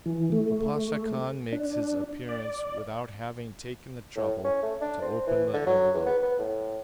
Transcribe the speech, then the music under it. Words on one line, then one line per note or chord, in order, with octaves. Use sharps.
The Pasha Khan makes his appearance without having taken the trouble to open the envelope.
E3
A3
D4
D5
A2
C#4
A3
D4
C4
E3
D3
F#3
E2
B3
B3
A2